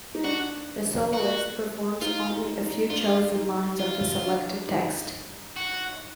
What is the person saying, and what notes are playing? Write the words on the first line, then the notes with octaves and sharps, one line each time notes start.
The soloist performs only a few chosen lines of the selected text.
D#4
D4 F#4
F#4
D#4 F4
D#4
D#4
D4 F4
D#4
E4 F4
D4
D#4
F#4